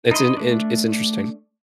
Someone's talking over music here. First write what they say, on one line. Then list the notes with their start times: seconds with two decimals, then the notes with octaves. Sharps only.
It's an int it's interesting.
0.11 D#4 E4 D#5 C6
0.37 A3 D4